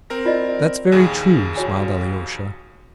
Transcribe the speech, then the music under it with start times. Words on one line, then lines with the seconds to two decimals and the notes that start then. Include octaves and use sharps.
"That's very true," smiled Alyosha.
0.10 C4 A#4 A#6
0.25 F4 D5 D#5
0.91 A#1 D#2 G#4
1.56 F#4 C#5 G#5